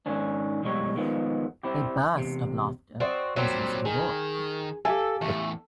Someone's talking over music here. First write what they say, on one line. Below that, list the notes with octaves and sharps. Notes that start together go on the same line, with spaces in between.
A burst of laughter was his reward.
G#2 D#3 C#4 D4
B1 F2 A2 G3 G#3 C#5
D#3 F3 G#3 B3
C4 E4 G4
E2 C3
C4 F#4 D5 D#5
A#2 F#3 G3 C4
D#3 G#4
G4 A4 F5 G#5
E2 A2 A3